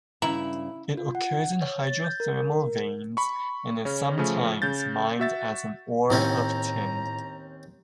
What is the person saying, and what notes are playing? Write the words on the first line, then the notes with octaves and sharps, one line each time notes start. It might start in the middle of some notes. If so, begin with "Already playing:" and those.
It occurs in hydrothermal veins and is sometimes mined as an ore of tin.
G2 C#3 C#4 E4 A#5
F4
F#5
C#5
A6
G6
A#4
A#4
B5 C#6
C#3 C#4
C#3 F3 A3 C#4
C#3 G6 A6
F#4 E5 A6
D#2 A2 C4 C#4 A#5